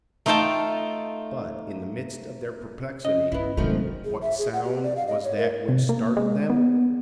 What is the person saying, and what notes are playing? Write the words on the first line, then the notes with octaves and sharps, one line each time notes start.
But in the midst of their perplexity, what sound was that which startled them?
A3 D#4 F4 F5 G5 A5
C#3 D#5
G1 B3 E4
G#1 C3 F3 F#3 A3
G#4
E5
G#4
F#5
G4
D5
F5
D#5
C#5
A#4
C3
A#3
G#3
B3